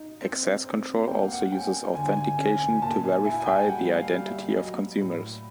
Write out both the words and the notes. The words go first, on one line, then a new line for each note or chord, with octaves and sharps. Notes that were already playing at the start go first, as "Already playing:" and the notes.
Access control also uses authentication to verify the identity of consumers.
Already playing: D#4
C4
C4
A#3 G5
F#5
F5
F#5
C#4 G5
D3 G#5
G#5
C#4 G#5
G#5
A#2 A5
G#5
E4 G#5
G#5
G5
G3 F#5
F5
G3
E5
F#3 D#5
A2